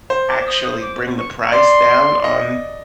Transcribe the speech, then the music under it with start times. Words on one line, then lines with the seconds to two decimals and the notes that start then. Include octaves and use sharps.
actually bring the price down on
0.10 C5
0.28 D6
0.40 D6
0.46 D#6
0.64 D#6
0.81 D6
1.18 C#6
1.44 C#6
1.52 D5 C6
2.24 D#5